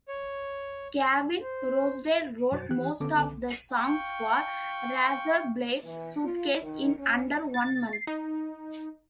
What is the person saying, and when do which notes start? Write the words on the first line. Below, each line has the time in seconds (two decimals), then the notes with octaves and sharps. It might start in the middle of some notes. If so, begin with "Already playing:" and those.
Gavin Rossdale wrote most of the songs for "Razorblade Suitcase" in under one month.
0.08 C#5
1.39 C5
2.52 F#2 B2 F#4 C5 A6
2.70 E3 G4 F#6
3.00 D3 B3 C#4 A4 D6
3.71 F5 G5 C#6
5.84 E3
6.24 F4
6.62 D#3
6.98 C#4
7.54 A6
7.93 C7
8.07 D#4